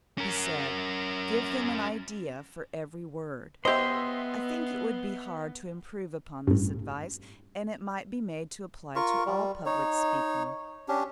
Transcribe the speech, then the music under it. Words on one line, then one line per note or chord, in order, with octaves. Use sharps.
He said: "Give them an idea for every word." I think it would be hard to improve upon this advice; and it might be made to apply to all public speaking.
C#4 A#4
B3 G4 C5 D#5 E5 C6
A1 G2
F4 A#4 C#6
G3
D#4 C#5
C#4 D4 G4